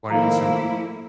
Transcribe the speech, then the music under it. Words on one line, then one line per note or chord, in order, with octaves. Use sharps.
Plain and simple.
D#3 F3 A#3 E4 A4 F5 A#5